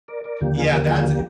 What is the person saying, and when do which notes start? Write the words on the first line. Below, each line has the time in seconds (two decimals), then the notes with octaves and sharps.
Yeah, that's, eh
0.08 A#4 D5
0.24 A#4 D5
0.41 D#2 D3 F3 A#3 G4
0.58 F4 G#4
0.73 G4 A#4
0.90 F4 G#4
1.07 G4